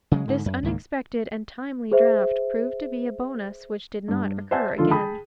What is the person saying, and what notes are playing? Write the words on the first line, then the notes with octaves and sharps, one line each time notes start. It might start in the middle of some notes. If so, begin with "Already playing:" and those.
This unexpected and timely draft proved to be a bonus, which did not occur again.
C#3 F#3 G#3
G#2 D3
F#2
C#2 G#2 D#3 A#3
G#4 C5 E5
G2
C5 D5 E5 F#5 G#5 A5
D3 D#3 F3 D4 F4 A4
G#4 G5 A5 B5 D#6